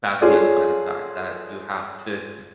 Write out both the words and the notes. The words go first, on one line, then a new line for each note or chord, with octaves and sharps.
fascinated by the fact that you have to
C#4 F4 G#4 A4 D5